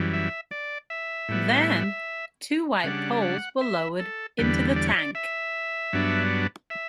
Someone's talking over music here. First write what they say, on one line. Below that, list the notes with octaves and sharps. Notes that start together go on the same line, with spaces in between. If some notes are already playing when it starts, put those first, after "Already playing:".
Then, two white poles were lowered into the tank.
Already playing: F#2 E3 G3
E5
D5
E5
A2 G3 B3
C#3 G3 D4 F#5
F#5
E5
A4
E2 D3 G3 B4
D5
C#5
D5
E5
G2 F#3 B3 D4
E5